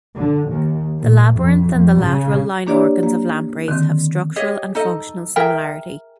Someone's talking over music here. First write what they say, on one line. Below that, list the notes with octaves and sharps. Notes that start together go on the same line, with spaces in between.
The labyrinth and the lateral line organs of lampreys have structural and functional similarity.
D3
D#2
A#2
F2
F2
C#3
A#3 D4 G4 C#5 D5
A#3
D3 D#3 C4
G4 G#4 C#5 D#5
D#4 A4 D#5
G#4 A#4 E5 G5